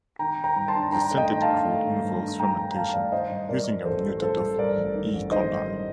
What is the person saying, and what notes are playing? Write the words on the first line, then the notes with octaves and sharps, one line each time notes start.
The synthetic route involves fermentation using a mutant of "E. coli".
D#3 G5 A#5
D#3
G5 A#5
G2
A5 C6
D4
D4 G5 A#5
A3
D#5 G5
D#3
F5 A5
D4
A3
D#3
G2
D4
D#3 G5 A#5
D4 G5 A#5
A#5
A3 F5 A5
G2 D5 F5
D#3 C5 D#5
G2
G2 A#4 D5
G2
A1 A4 C5
G3
G3 A4 C5
G3
G2 A#4 D5
A1
D#3
A1
D#3 C5 D#5
G3
G3